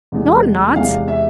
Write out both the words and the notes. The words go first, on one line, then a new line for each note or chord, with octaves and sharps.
"No, I'm not."
E2 C3 E3 G#3
E2 C3 E3 G#3 F5
E5